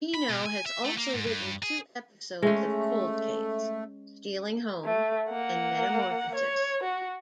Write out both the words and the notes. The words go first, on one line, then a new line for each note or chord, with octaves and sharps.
Pino has also written two episodes of "Cold Case": "Stealing Home" and "Metamorphosis".
B5
B2
G#5
E5
A3
A#3
G#2
G2
G#4
G#3 A3 C#4
A3
A#3 F#5
C#5
F#4